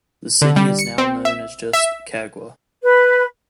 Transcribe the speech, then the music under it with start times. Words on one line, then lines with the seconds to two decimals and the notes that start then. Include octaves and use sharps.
The city is now known as just "Cagua".
0.42 D3
0.56 G3
0.79 C#7
0.98 C4
1.25 E5
1.73 E5
2.84 B4